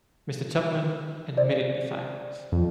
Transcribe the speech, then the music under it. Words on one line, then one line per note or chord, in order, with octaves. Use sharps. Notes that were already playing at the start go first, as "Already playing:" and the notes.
Mr. Tupman admitted the fact.
C5 D5
F2